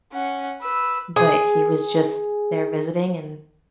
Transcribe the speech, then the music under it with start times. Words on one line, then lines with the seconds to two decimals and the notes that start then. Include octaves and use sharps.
but he was just there visiting and
0.13 C#4 F#5
0.61 B4 E6
1.16 G#4 G#5